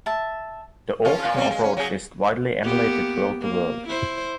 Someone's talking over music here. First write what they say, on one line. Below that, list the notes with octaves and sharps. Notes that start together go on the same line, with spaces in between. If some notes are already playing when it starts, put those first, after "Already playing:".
The auction approach is widely emulated throughout the world.
E5 A5
F3 C#4 F4
A#2 F4
G3 C4 C#4
G#3
C#4
F#3 G#4
A#3 B3 G4
A#3
E4 C5